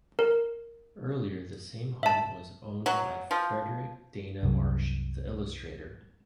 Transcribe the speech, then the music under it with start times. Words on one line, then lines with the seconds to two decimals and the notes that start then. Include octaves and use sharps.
Earlier, the same home was owned by Frederic Dana Marsh, the illustrator.
0.19 A#4
2.03 E5 A5
2.86 F#3
3.31 F3
4.43 C2 F#2